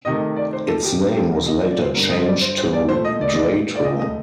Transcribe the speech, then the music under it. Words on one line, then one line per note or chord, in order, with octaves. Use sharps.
Its name was later changed to Drayto.
C3 D#3 A3 D#5
D5
C5
A4
G4
C3 G3
G4
A4
A#4
D#5
D5
D5
C5
G2 D3 G3 A#4
D#5
C5
D5
C5
C5
D5
A#2 A3 C5
D#5
D5
D#5
D5
D5
A2 A3 D#5
D#5